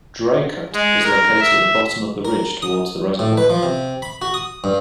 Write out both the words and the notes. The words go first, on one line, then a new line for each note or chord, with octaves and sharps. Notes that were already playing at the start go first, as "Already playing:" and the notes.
Draycote is located at the bottom of the ridge towards the reservoir.
G#3
A#4
E5
A#4
D#6
A2
B4
F3
C3
B5
F#4
D#6
G2